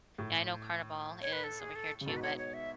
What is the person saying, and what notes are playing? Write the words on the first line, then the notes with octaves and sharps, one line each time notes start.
yeah, I know Carnival is over here too, but,
A2
C#5
B4
A4
G#4
A4
C#3
G#2 B2 A4
B4
C#5
C#5
E5